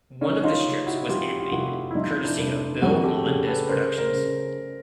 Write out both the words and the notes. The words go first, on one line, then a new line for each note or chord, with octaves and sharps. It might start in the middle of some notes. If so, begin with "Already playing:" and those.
One of the strips was animated, courtesy of Bill Melendez Productions.
C#3 C#4 D#4
D#4 F4
C#3
E4 F#4
F2 F4 G4
F4
F1 E4 F#4
E4
F2 D#4 F4
D4 E4
F1
F2 F#4 G#4
G4 A4
C#3
A4 B4
C#3 A#4 C5
A#4 C5
C#3